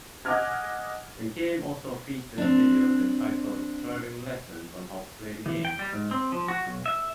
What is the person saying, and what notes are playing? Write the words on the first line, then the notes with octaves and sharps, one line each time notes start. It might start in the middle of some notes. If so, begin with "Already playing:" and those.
The game also features videos entitled driving lessons on how to play the game.
D#5 F#5 G#5 D6 F6 G#6
C4 D4
E3
G5
G3
G#2
C4
F3
F#4
B1
E5